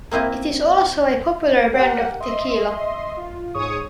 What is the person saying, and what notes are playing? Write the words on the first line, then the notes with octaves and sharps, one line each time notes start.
It is also a popular brand of tequila.
A#3 C4 E4 D#5
G4 A#4 F#5 G5
D#5 E5 C6
F4
G#2 G#4 C#5 C#6 D#6